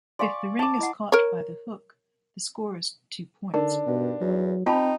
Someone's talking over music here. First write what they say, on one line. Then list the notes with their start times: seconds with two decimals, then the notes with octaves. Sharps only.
If the ring is caught by the hook, the score is two points.
0.19 D5 F5 G#5 C6 C#6
0.59 A5 D6
0.79 E4 D#5 F#5
1.12 A#4 C#5
3.54 D3 D4 D#4 A#4
3.87 G2 B2
4.21 E2 F#3
4.66 C4 D#4 F4 G5 A5 B5